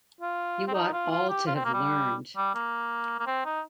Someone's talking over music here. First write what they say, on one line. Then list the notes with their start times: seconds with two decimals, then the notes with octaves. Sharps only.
You ought all to have learned.
0.21 F4
0.68 C4
0.74 D#4
0.93 F4
1.11 F4
1.29 G4
1.47 F4
1.56 C4
1.65 A#3
1.73 G3
2.37 G3
2.55 A#3
3.19 A#3
3.27 C4
3.45 D#4